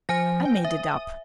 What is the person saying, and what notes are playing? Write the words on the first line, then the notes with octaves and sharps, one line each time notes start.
I made it up.
F3 C5 G#5 A#6
G5
E5 D#6